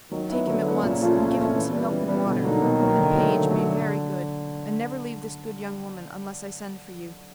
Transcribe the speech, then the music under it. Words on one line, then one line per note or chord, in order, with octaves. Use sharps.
Take him at once, and give him some milk and water; and, page, be very good, and never leave this good young woman, unless I send for you.
D#3 F#3
B3 E4
D3 F#3
B3 E4
A#2 C#3
F3 A3 C#4 F4
A#2
F3 A3 C#4 F4
E3
G3 B3
C#3 E3
G3 B3
B2 D3
F#3 A#3 D#4
B2 D#3
F#3 A#3 D#4
D3
F#3 A3
D3
F#3 A3
D3